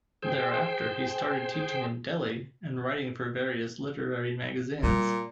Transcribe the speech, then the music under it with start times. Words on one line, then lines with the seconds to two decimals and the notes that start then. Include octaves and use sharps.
Thereafter he started teaching in Delhi and writing for various literary magazines.
0.23 G#4 C5 G5
4.83 A#2 G3